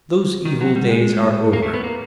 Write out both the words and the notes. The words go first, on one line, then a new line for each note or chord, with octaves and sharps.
Those evil days are over.
D#3
F#3
G3
G#3
A#3
A3
B3
A#3